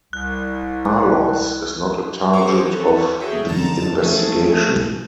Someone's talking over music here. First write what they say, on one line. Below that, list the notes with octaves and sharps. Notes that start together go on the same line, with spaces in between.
Carlos is not a target of the investigation.
C2 F#6
G#4 C5 C#5 A#5 C#6 D6
E3 C4 A4 B4 C#5
F#4 G#4 A4 C#5 E5 G5
F#2 D3 A5 A#5 A6 E7
F3 F#3 A3 C#4 G#4 A4